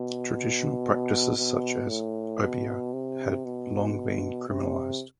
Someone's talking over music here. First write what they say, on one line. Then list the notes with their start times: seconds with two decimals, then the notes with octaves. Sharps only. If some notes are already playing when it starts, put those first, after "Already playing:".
Traditional practices such as obeah had long been criminalised.
Already playing: B2
1.38 B2
1.89 A2
2.41 B2
2.93 C3
3.45 B2
4.49 C3